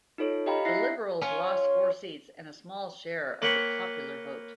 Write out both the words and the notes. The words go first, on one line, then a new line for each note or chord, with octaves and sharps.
The Liberals lost four seats and a small share of the popular vote.
D#4 F4 A4 C#5
G4 D#5 F5 G5 A#5 B5
E4 E5 A#6 C7
C#4 F4 C#5
A#3 B4 C#5 G5 B5 C#6